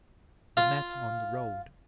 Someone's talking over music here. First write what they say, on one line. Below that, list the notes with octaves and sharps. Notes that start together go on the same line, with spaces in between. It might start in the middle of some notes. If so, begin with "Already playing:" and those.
They met on the road.
F4 F5